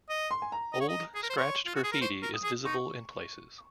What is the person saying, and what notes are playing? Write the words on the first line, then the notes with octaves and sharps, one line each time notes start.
Old scratched graffiti is visible in places.
D#5
C6
G#5
A#5
D#5
C#5
D#5
G#4
A#4
C5
C#5 C6
F4
F#4
G#4
A#4
C5 C#6
A#4
D#6
G#4
D#4 C#6